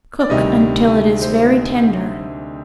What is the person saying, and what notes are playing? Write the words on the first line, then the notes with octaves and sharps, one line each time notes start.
Cook until it is very tender.
D5
D2 C3 D#3 G3 D#5
C5